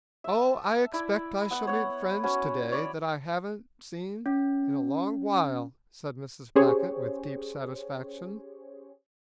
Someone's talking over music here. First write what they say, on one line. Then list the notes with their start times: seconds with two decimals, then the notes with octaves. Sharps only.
"Oh, I expect I shall meet friends today that I haven't seen in a long while," said Mrs. Blackett with deep satisfaction.
0.24 E5 A5
0.93 E4 D5 E5
1.51 B3 F#5
1.67 C#5 F#5
2.23 C#4 F#4 B4
2.72 C#5 D5 B5
4.26 C#4
6.56 C#4 G4 G#4 C5 C#5